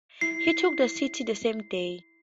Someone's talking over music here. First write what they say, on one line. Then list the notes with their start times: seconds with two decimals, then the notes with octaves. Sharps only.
He took the city the same day.
0.21 E4 C7